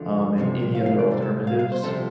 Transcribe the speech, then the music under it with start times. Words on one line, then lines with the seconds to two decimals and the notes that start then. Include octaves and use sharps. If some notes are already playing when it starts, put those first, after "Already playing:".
um, and any other alternatives
Already playing: D2 D3 F3
0.38 C2 C3 F3
0.75 F5
0.86 F5
0.99 D5
1.11 C2 C3 G3 C5
1.22 A4
1.47 F5
1.59 F5
1.72 C5
1.83 C2 C3 F3 A4